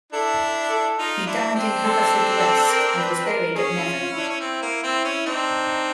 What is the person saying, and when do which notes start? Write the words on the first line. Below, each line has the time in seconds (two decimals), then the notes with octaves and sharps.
He died in Haverfordwest and was buried at Nevern.
0.13 D4 E4 A4
0.70 A4
0.98 D#4 F4
1.26 D4 E4
1.55 C4 D4
1.84 A4
2.70 A#4
2.99 B4
3.26 A#4
3.55 C#4 G#4
3.78 E4
3.84 F4
4.00 F4
4.12 D4 E4
4.29 C#4
4.40 C4
4.62 A#3
4.83 C4
5.04 C#4
5.26 C4 D4 D#4